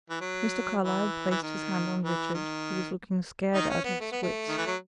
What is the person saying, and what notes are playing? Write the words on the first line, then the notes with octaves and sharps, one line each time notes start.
Mr. Carlyle placed his hand on Richard, who was looking scared out of his wits.
E3
F#3
E3
E3
D#3
E3
D#3
D#3 D#4
C#4
B3
A3
B3
A3
D#3
E3
F#3